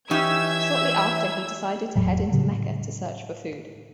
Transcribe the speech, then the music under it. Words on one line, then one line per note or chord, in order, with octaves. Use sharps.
Shortly after He decided to head into Mecca to search for food.
E3 C#4 D#4 G4 E5 E6 G#6
E1 A2 F#3
A2 C#3 F#3